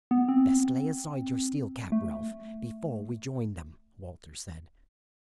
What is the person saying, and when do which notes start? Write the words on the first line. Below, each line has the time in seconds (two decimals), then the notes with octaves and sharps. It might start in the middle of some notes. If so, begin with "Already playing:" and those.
"Best lay aside your steel cap, Ralph, before we join them," Walter said.
0.11 B3
0.28 C4
1.92 A3